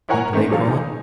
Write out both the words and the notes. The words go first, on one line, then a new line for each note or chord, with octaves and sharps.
What do they call it?
E4 A#4 C#5 F#5 G#5 A#5
D#3 A3 C4 D4
E2 F#3 A4 F5
D#4 G#5